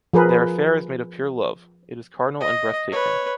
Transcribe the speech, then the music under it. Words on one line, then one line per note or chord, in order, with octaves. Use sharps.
Their affaire is made of pure love, it is carnal and breathtaking.
F3 G#4 A#4 B4
D#5
B4 C#5